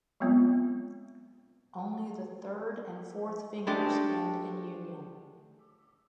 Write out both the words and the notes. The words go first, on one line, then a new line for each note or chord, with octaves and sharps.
Only the third and fourth fingers end in union.
F#3 G#3 A3 B3 C4 F4
G#3 A3 D4 G4